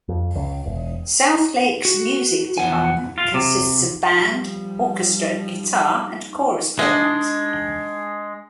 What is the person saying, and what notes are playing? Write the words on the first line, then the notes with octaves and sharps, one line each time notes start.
South Lakes' music department consists of band, orchestra, guitar and chorus programs.
F2
C#2
E1
F#4
E2 F3 F#5 G#5
F4
C3
F3 G3
G#3 D4 D#5